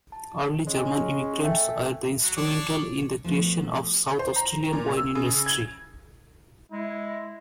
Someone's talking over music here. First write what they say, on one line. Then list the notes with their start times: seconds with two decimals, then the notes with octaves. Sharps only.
Early German immigrants were instrumental in the creation of the South Australian wine industry.
0.12 A5
0.67 G#3 C#4 C#5
1.44 A3 E5 G5 G#5
2.23 F#3
2.37 D4 C#5 D5
3.24 F3 A3 B3 F#4
4.19 C5
4.36 A#5
4.73 A#2
4.97 E6
5.15 C#3
5.46 G#6
6.71 G#3 E4